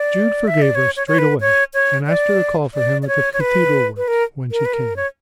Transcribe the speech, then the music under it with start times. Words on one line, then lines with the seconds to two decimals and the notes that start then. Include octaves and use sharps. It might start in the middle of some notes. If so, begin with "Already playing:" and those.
Jude forgave her straightway, and asked her to call for him at the cathedral works when she came.
Already playing: D5
0.47 E5
0.62 D5
0.75 C#5
0.96 C#5
1.08 C#5
1.18 B4
1.41 C#5
1.74 C#5
2.07 D5
2.74 D5
3.03 D5
3.08 C#5
3.33 C#5
3.40 B4
3.97 B4
4.08 A#4
4.52 A#4
4.65 B4
4.73 A#4
4.96 C#5